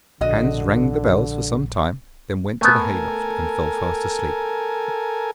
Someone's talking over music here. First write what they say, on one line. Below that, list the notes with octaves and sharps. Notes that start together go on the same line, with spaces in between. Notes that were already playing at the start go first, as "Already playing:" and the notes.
Hans rang the bells for some time, then went to the hay-loft, and fell fast asleep.
A#1 D3 F#4 D#5
A3 B3 A4 A#4 G#5